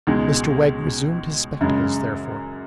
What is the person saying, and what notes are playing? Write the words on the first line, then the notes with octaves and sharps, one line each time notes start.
Mr Wegg resumed his spectacles therefore.
C#2 B2 G#3 D#4
F#2 C#3 G#3